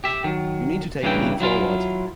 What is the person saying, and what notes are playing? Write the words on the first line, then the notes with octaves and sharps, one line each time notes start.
You need to take a leap forward.
G4 E5
D#3 F#3
G2 C#3 E3 A#3 E4 G5
F#3 E4 F4 A#4